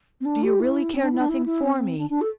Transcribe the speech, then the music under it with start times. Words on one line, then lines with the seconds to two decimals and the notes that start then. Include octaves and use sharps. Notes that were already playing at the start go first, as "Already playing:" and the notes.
Do you really care nothing for me?
0.21 C4
0.25 D4
0.43 G4
0.60 E4
0.94 C4
1.03 D4
1.12 E4
1.20 D4
1.29 E4
1.46 E4
1.63 C4
1.98 D4
2.10 D4
2.21 A4